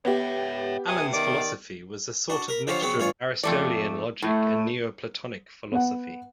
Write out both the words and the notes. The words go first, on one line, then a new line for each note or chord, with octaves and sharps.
Alan's philosophy was a sort of mixture of Aristotelian logic and Neoplatonic philosophy.
B3 G4 C#5 E5
E5 G5 G#5 D#6
D#3 D5 D6
D4 F#4 D5
A#4 B5
D3 F3 F4 G4 C5 C#5
C#3 F#3 B3 C4 F#4
A1 G2 F4 C#5 G#5
F2 A3 D5
A2 A3
B3 F#5